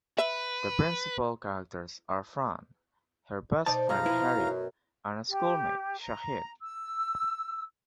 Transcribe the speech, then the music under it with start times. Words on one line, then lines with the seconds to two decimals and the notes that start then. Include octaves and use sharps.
The principal characters are Fran, her best friend Harriet, and a schoolmate, Shahid.
0.18 B4 E5
3.66 B2 D#4 C5 D5 A5
3.89 B1 D#3 F3 G3 G#4 F5 A#5
4.06 B2 E4 B4
4.37 F#2
5.28 G4
6.00 A#5
6.62 E6